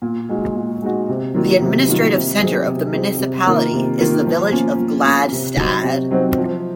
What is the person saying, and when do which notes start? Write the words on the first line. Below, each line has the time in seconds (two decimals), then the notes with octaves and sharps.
The administrative centre of the municipality is the village of Gladstad.
0.02 A#2
0.29 G#3 D#4 F#4
0.56 A#2
0.82 G#3 D#4 F#4
1.09 C3
1.34 D#3 F#3 A#3 F4
1.62 C3
1.88 D#3 F#3 A#3 F4
2.13 C3
2.41 F#3 C4 D#4 G#4
2.67 C3
2.93 F#3 C4 D#4 G#4
3.19 C3
3.46 D#3 A#3 F4 A#4
3.73 C3
3.98 D#3 A#3 F4 A#4
4.26 F3
4.51 A#3 C#4 F4
4.79 F3
5.05 A#3 C#4 F4
5.32 C3
5.58 F#3 C4 D#4 F#4
5.84 C3
6.11 F#3 C4 D#4 F#4
6.37 F3